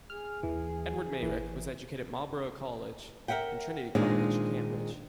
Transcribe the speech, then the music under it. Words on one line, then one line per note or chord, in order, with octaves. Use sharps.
Edward Meyrick was educated at Marlborough College and Trinity College, Cambridge.
G#4 F6
D#2 E3
G#1 E3
A#4 B4 E5 F#5 G5
A#2 D#3 G#3 C4 D4 D#4